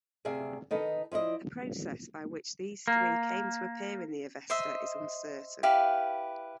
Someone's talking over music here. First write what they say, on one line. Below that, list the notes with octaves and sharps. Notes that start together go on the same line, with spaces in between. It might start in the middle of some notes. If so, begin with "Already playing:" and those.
The process by which these three came to appear in the Avesta is uncertain.
D2 C3 G#4 D5 E5 F5
D#3 D#4 A4 B4
F3 E4 D5 D#5
A#3
C5 D#5 E5
E4 G4 B4 F5